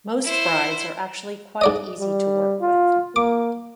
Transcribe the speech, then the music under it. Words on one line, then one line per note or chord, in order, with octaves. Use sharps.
Most brides are actually quite easy to work with.
E4 C5
G#2 D5 D#5
G3
F4
A#3 D6